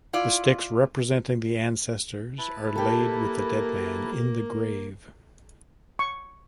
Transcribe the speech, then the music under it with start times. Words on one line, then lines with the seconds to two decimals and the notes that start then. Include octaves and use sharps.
The sticks representing the ancestors are laid with the dead man in the grave.
0.13 E4 F4 D5
2.38 E4 B4 A5
2.75 A#3 G4 A4 A#4
5.99 C#6